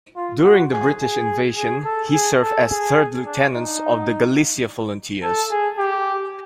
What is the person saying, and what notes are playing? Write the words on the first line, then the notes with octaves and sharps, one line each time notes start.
During the British Invasions he served as Third Lieutenant of the Galicia Volunteers.
F4
F#4
G#4
G#4
G#4
A4
G#4
A4
G#4
D4
D#4
A4
G#4
G4